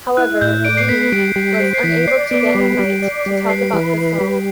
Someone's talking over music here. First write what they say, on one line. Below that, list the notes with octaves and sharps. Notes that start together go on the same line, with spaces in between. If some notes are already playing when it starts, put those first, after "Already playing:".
However Reeve was unable to get Knight to talk about the song.
E4 F#6
A2 G6
D5 D7
C7
B3 B6
C7
G3 D7
G3
B6
C5 C7
C7
E3 B6
D7
D5 C7
B3 D7
G3
G3
D5
G3
B4 C7
E3
B4
G3